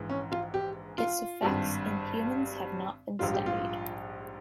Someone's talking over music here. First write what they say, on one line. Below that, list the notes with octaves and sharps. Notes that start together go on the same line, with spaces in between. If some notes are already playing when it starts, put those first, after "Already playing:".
Its effects in humans have not been studied.
Already playing: A#1 G#2 E3
C#4
F4
G4
F4
G#1 G2 G3
A#1 G#2 G3 F4
G4
F4